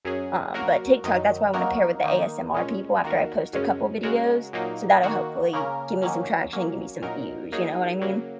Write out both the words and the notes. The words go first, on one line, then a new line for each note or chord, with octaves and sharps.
um, but TikTok that's why I wanna pair with the ASMR people after I post a couple videos. So that'll hopefully give me some traction and give me some views, you know what I mean?
F#2 F#3 C#4 G#4
F#3 A#3 F#4 A#4
F#2 D#3 F#3 D#4
F#3 A#3 D#4 F#4 A#4
D#3 A#3 D#4
A#2 G#3 C#4
D#3 A#3 F#4 A#4
F#2 C#3 G#3 C#4
C#3 G#3 F#4 A#4
A#2 F#3 A#3 D#4
D#3 A#3 F#4
C#3 A#3 C#4 A#4
D#3 F#3 A#3 C#4
F#3 A#3 C#4
A#2 F#3 D#4 A#4
F#3 A#3 D#4 G#4
C#3 F#3 A#3